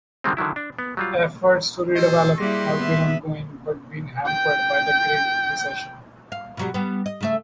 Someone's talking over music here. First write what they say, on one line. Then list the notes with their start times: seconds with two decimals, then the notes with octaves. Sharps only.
Efforts to redevelop have been ongoing but been hampered by the Great Recession.
0.24 D3 D#3 G3 G#3 C4
0.37 D3 D#3 F#3 E4
0.56 D4
0.79 B3
0.97 F#3 G3 F4
1.95 F#4 G#4 A4 C5 D#5
2.38 G3 A#3 E4 G4 G#4 B4 C6 A#6
2.76 B3 E5
4.26 G5 G6
6.32 F5
6.57 B2 F#3 G3
6.74 G3 B3
7.06 D#5
7.21 C#3 A3 E5